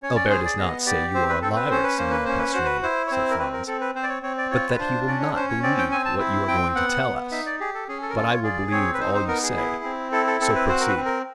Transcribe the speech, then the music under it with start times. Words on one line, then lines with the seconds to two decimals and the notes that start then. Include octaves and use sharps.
"Albert does not say you are a liar, Signor Pastrini," said Franz, "but that he will not believe what you are going to tell us,--but I will believe all you say; so proceed."
0.03 C#4 C#5
0.16 D5
0.30 G#4 C5
0.45 D5
0.58 B3 D#5
0.86 G4 D5
1.14 C4 C5
1.29 B4
1.42 C4 A4
1.56 B4
1.71 C#4 C5
1.84 B4
1.98 A#3 C5
2.11 B4
2.25 C#4 C5
2.38 B4
2.53 F#4 C5
2.65 B4
2.83 E4 C5
3.07 C#5
3.11 C4 C5
3.31 A#4
3.39 C4 B4
3.53 A#4
3.67 C4 A4
3.81 B4
3.95 C4 C5
4.03 D5
4.09 C#5
4.23 C4 C#5
4.38 D5
4.51 F4 C#5
4.69 B4
4.79 D4 C5
5.07 C#4 D5
5.21 C#5
5.36 C#4 C5
5.49 C#5
5.63 C4 D5
5.78 G5
5.92 C4 G#5
6.05 A5
6.19 E4
6.48 C4 G5
6.75 B3 F#5
7.04 B3
7.32 D#4 E5
7.46 D5
7.59 G4 G#4
7.74 A4
7.88 C#4 G#4
8.02 A4
8.10 A#4
8.16 F4 A4
8.30 C#5
8.44 G#4 D5
8.72 C4 C#5
8.94 B4
9.00 D#4 C5
9.14 C5
9.28 B3 A#4
9.43 G#4
9.57 E4
9.84 C4
10.12 E4 A4
10.27 A4
10.41 C4 A4
10.55 B4
10.69 F#4 C5
10.81 A#4
10.88 B4
10.96 C4
11.05 A#4